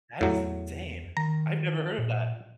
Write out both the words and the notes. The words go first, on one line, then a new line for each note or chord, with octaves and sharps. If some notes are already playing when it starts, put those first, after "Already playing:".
That is insane. I've never heard of that.
E2 A2 F#3
D#3 A#5
A#2